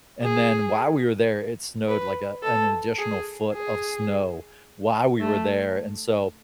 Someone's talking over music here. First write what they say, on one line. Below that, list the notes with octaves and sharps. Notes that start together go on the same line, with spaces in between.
and then while we were there, it snowed like a an additional foot of snow while we were there and, so,
G#4
B4
A4
G#4
G#4
A3